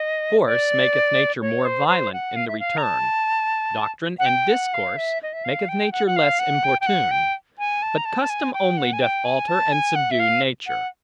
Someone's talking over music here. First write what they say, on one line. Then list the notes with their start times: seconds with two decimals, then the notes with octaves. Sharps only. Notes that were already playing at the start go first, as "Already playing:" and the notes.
Force, maketh nature more violent in the return; doctrine and discourse, maketh nature less importune; but custom only doth alter and subdue nature.
Already playing: D#5
0.46 D5
1.42 C#5
1.65 C5
1.88 C5
2.13 F#5
2.36 F5
2.48 E5
2.60 F5
2.77 A#5
2.83 A5
4.19 F#5
4.26 G5
4.49 F#5
4.74 F5
4.97 E5
5.23 D#5
5.33 E5
5.45 F5
5.69 G5
5.92 F#5
6.07 F#5
6.16 F5
6.39 F#5
6.64 G5
6.81 G5
6.86 F#5
7.11 G5
7.59 G#5
7.82 A5
7.97 A#5
8.05 A5
8.22 A5
8.30 G#5
8.54 G5
8.77 F#5
8.93 G#5
9.01 G5
9.25 G#5
9.48 A5
9.72 G#5
9.96 F#5
10.11 E5
10.19 F5
10.67 F#5